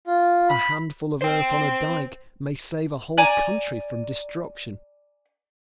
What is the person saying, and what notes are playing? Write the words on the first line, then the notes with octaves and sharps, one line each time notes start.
A handful of earth on a dike may save a whole country from destruction.
F4
B5
C5 G5
D5 G#5 A#5